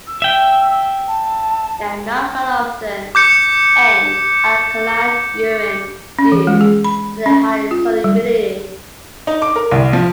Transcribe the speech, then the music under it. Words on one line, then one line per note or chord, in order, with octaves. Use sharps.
They are not found often in alkaline urine due to their high solubility.
E6
E5 G5
A5
D6 G6 C#7
C#4
E3
G#3
G#4
B5
C#4
F4
G3
D#4
D6
A#4
C2
F3